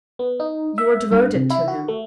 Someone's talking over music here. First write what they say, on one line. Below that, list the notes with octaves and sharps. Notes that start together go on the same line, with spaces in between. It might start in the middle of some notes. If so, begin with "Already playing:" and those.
"You are devoted to him."
B3
D#4
E5
G2
C3
E4
F#4
A3